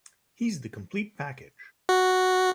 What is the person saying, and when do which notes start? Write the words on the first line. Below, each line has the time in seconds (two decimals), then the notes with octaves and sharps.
He's the complete package.
1.89 F#4